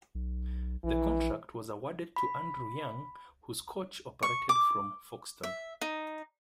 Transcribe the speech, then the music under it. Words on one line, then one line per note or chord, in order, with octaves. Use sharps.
The contract was awarded to Andrew Young, whose coach operated from Foxton.
B1
A#1 E3
B5
C#6
D6
E5
D#4